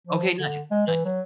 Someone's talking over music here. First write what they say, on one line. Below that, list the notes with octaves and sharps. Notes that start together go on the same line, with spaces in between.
Okay, nice, nice.
F3
D3
G#3
E3
F#3